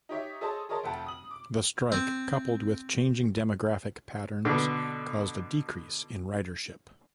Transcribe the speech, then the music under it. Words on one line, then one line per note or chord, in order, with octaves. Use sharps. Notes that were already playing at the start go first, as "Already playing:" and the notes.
The strike, coupled with changing demographic patterns, caused a decrease in ridership.
D#4 G4 C#5 E5
G#4 A4 C5 C#5 D#5 A5
G#4 A#4 C#5 D#5 A5 C6
F1 A3 F#5 G5 A5
D#6 F#7
D6
C4
B2 D3